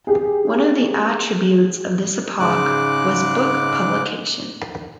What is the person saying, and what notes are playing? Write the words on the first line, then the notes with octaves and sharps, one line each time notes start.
One of the attributes of this epoch was book publication.
G4 G#4
G#2 C#3 G#3 D6 F#6